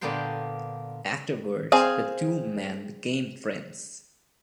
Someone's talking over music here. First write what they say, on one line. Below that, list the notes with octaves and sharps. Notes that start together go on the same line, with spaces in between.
Afterwards, the two men became friends.
A#2 D3 A#3 B3 G5 C6
C4 G#4 F5